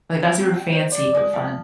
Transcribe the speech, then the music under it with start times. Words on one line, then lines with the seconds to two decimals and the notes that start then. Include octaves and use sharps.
like, not super fancy, but fun.
0.23 E4
0.39 C4
0.54 G5
0.72 C5
0.92 D5
1.15 G#3
1.33 F3